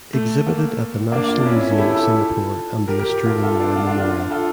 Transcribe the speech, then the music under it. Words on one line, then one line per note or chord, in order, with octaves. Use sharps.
Exhibited at the National Museum of Singapore and the Australian War Memorial.
A3
A#3
A#3 D4
D4 F4
D4
C#4 E4
C#4 E4
A4
E4 G4
F4 A4
G4 A#4
G4 A#4
G4 A#4
F4 A4
F4 A4
D4 F4
D4 F4
D4 F4
D4 F4
D4 F4
F4 A4